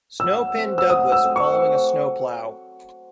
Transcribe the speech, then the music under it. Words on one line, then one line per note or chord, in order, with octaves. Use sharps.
Snow pinned Douglas following a "Snow Plow".
F#3 E6
A3 C4 F#4
E6
F#3 D#6
E6
A3 C4 F#4
C#6